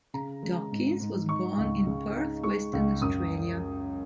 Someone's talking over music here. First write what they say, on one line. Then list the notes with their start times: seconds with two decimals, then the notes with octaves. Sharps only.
Dawkins was born in Perth, Western Australia.
0.14 C#3 A#5
0.43 G#3
0.72 G#2
1.00 G#2
1.29 D#4 C#6
1.57 C#2
1.87 C#3
2.16 D#4
2.43 G#3 C#6
2.73 C#2
3.01 F#2 D#6